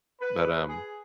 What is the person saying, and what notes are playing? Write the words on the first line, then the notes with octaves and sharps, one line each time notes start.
but, um,
B4
G#4